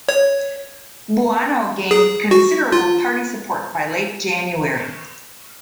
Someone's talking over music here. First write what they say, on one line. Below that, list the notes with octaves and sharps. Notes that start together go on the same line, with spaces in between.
Buono gained considerable party support by late January.
C#5
G#4
F#4
F4